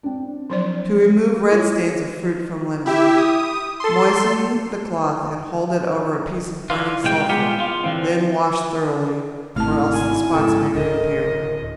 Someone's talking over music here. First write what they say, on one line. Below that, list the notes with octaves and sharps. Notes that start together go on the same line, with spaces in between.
To Remove Red Stains of Fruit from Linen.--Moisten the cloth and hold it over a piece of burning sulphur; then wash thoroughly, or else the spots may reappear.
C4 D4
F3 F#3 D5
E4 F4 G#4 C#5
E4 G4 E5
D#6
A4 C6
D3 F4
C2 G#3 G5
G#3 B3 F4 G4
F4
D3 E3 C4
G#1 C3 A3 E4 A5 F6
G#5
G#2 C#3 A4
D1 A4 A#4 D#5